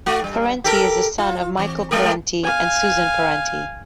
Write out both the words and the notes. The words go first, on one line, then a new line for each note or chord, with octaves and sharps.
Parenti is the son of Michael Parenti and Susan Parenti.
A3 F#4
G2 G3
G4 A4 A#4
F4
E3 C4
G#3 A3 A#4
F5 G#5